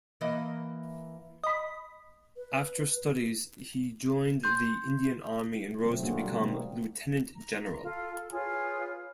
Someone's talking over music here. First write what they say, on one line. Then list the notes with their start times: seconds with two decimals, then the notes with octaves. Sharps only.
After studies he joined the Indian Army and rose to become Lieutenant General.
0.21 E3 A#3 D#5
1.44 D#5 B5
2.37 B4
4.44 C6 G6
5.83 B2 D3 F#3 A3 C4
6.03 A3 A#3 D4 F4 F#4 G#4
6.22 G3
6.39 B2 D#3 G#3 A#3 C4
7.34 A#5
7.83 F4 A4 F5
8.11 A4
8.32 F4 G#4 B4 C#5